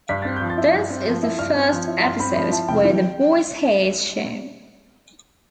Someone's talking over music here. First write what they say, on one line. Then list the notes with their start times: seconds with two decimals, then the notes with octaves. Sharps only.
This is the first episode where the boy's hair is shown.
0.09 G2 B6
0.22 C4 A6
0.36 G6
0.42 F3
0.50 A6
0.58 E4
0.74 G2
0.90 C4
1.07 F3
1.23 E4
1.39 G2 F6
1.55 C4
1.71 F3
1.87 E4
2.04 G2 C6
2.20 C4 B5
2.36 F3 B5
2.52 E4 A5
2.68 F1 G5
2.85 E3